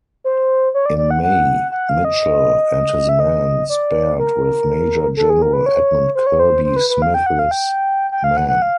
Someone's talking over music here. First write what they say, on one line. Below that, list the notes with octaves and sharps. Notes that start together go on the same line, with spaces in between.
In May, Mitchel and his men sparred with Major General Edmund Kirby Smith's men.
C5
C#5
D5
D5
F#5
F#5
F#5
F5
D#5
E5
D#5
D5
A#4
A4
G#4
A#4
B4
C#5
C5
C#5
C5
C5
B4
B4
F5
G5
F#5
F5
G5
G5
F5
F#5
F#5
F5